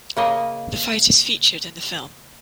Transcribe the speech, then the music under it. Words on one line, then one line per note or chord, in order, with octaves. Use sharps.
The fight is featured in the film.
C#3 A#3 D#5